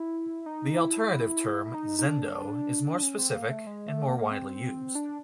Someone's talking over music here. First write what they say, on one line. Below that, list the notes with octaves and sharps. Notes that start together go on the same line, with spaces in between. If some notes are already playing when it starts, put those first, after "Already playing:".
The alternative term "zendo" is more specific, and more widely used.
Already playing: E4
D#4
E4
D#4
D#4
D4
C#4
C4
A#3
A3
G#3
A3
A#3
C4
D4